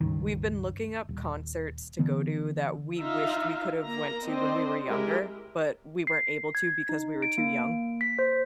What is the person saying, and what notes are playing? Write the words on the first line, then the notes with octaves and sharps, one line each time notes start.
we've been looking up concerts to go to that we wished we could have went to when we were younger, but we weren't able to because we were too young.
C#2 G2 D#3
D#1
D3 E3 B3
D#4 F4 E5 F5
A#3 A#5
C4 D4 C5 D#5
G#3 E4 G4 A#4
C7
G#6
D#4
D7
A#3
B6
C5